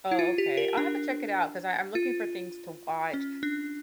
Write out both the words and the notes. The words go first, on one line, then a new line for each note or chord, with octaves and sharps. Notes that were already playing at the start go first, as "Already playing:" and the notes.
Oh, okay, I'll have to check it out 'cause I I'm looking for things to watch,
E4
F4
G4
A#4
D4
F4
C#4
D4